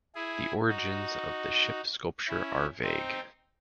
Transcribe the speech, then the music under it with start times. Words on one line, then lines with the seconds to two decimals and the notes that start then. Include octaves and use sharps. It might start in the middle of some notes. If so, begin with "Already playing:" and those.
The origins of the ship sculpture are vague.
0.15 E4 G#4
0.68 D#4 F#4
2.28 C#4 E4
2.82 C4 D#4